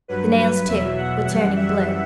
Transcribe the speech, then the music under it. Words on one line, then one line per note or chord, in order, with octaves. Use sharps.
The nails, too, were turning blue.
G2 F#3 B4
B4
E2 B2 F#3 E5
F#5
F#2 E3 G3 F#5
E5